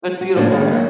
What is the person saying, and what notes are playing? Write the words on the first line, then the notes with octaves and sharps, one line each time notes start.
It's beautiful there.
F#4
A2 C#3 F3 G#3 A#3 D4
D3 D#3 F3 G#3 A#3
F#3 A#3